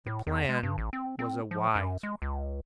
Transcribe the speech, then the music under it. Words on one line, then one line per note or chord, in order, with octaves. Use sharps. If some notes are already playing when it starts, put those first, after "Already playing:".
The plan was a wise one.
A2
E2
G#3
G2
A1
C4
C4
F3
F#2
G#3
C#2